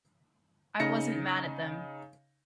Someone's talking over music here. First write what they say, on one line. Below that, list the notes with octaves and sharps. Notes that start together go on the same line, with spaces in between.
I wasn't mad at them.
C#3 D#4 A#6 C#7